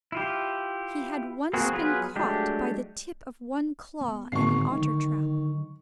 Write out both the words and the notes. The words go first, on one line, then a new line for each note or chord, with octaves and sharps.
He had once been caught by the tip of one claw in an otter-trap.
E4 F4 G4
A#3 C4 F#4 G#4
F#3 B3 F4 G#4 B4
F#3 G#3 A3 D4 G4
B3
G#1 A2 D3 C#6 C7
D3 D#3 F#3 A3